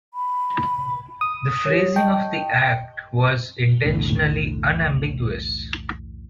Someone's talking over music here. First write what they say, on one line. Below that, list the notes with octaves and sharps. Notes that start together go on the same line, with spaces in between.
The phrasing of the act was intentionally unambiguous.
B5
D#6
G4 C#5
D#5 G5 A5 C#6
B1 E2 A2 D3